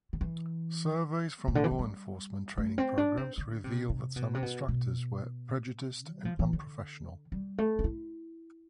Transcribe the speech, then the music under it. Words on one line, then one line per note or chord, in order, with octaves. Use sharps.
Surveys from law enforcement training programs reveal that some instructors were prejudiced and unprofessional.
D3
E3
C3
D3
E3
F3
G3
A3
C4
D4
C4
D3
C3
C3
B2
C3
B2
B2
G3
F3
E3
D3
G3
A3
D4
E4